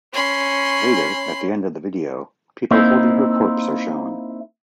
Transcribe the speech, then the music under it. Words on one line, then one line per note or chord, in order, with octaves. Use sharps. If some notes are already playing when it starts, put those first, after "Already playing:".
Later, at the end of the video, people holding her corpse are shown.
C#4 B5 C6
A#3 C4 D#4 E4